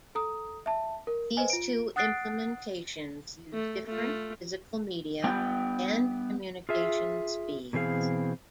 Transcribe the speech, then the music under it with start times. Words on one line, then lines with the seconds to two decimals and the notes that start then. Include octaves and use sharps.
These two implementations use different physical media and communication speeds.
0.15 A4 A#5 D#6
0.66 E5 A5
1.07 A#4
1.37 B4 C5 D#5 G#5
1.50 F4 D7
1.96 F#5 D#6 F#6 A6 C7 D7
3.53 A3
3.86 A3 F4
5.24 G3 B3 G5
6.69 F4 G#4 E5
7.73 B2 E3 C4 G#4 F5